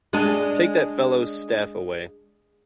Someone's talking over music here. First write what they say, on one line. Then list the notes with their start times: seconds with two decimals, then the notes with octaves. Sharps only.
Take that fellow’s staff away.
0.13 G#3 D4 G#4